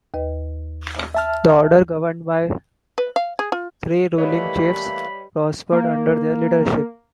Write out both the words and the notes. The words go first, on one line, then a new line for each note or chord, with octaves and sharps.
The Order, governed by three ruling Chiefs, prospered under their leadership.
D#2 B4 D#5
E5 A5 F6
B4
F5
G#4
F4
E3 G3 A3 A#3 B4 C#5 D#5 B5
A#3